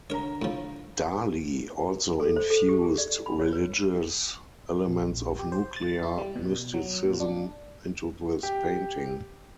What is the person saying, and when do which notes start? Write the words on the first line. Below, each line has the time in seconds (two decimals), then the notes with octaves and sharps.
Dali also infused religious elements of Nuclear Mysticism into this painting.
0.10 D3 A#4 C#5 A#5
0.42 A2 F3
2.20 A4
2.36 C5
2.50 A4
2.69 G4
2.83 G#4
2.98 D5
3.26 B5
3.40 C#5
3.53 B4
4.88 A#1
5.39 G4
5.52 C5
5.76 A6
6.03 E4
6.18 G3
6.36 B2
6.74 F#3
7.04 A#2
7.20 D4
8.43 G4